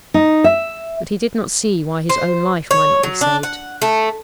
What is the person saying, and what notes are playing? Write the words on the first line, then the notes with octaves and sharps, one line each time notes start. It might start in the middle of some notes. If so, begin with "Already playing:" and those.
But he did not see why his own life might not be saved.
D#4
E5
C5
C#5
F#3
D4
F#5
A3